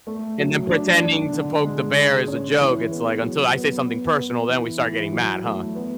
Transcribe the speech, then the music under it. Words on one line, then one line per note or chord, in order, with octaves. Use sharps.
And then pretending to poke the bear is a joke. It's like, until I say something personal, then we start getting mad, huh?
A3
F#3
D4
D4
D3
G#3
G#4
C#4
E3
B3
F#3
B3
B3
B3
E3
E3
F#3
A3
B3